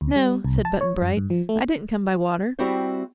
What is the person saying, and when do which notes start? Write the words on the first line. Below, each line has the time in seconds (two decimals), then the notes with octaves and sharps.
"No," said Button-Bright; "I didn't come by water."
0.01 D2
0.16 G3
0.44 C2
0.65 A5
0.81 C#5
1.02 F#2
1.17 G2
1.30 F3
1.49 A3
2.59 G3 C4 E4 F#4 G4 C5